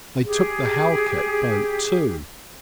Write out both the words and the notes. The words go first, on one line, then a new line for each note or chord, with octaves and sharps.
They took the halkett boat too.
G4 G#4